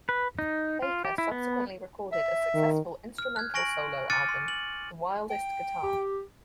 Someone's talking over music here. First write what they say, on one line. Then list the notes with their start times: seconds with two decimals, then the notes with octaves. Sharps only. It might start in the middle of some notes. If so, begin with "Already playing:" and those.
Baker subsequently recorded a successful instrumental solo album, "The Wildest Guitar".
0.09 B4
0.39 D#4
0.82 F4
1.05 G4
1.18 E4
1.32 B3
2.12 E5
2.54 D#3
3.18 F6
3.36 F#6 G#6
3.54 G#5 C#6 A#6 D7 F#7
4.10 D6 F6 F#6 A6 C#7 D#7
4.29 C6
4.48 F#7
5.30 G5
5.83 G4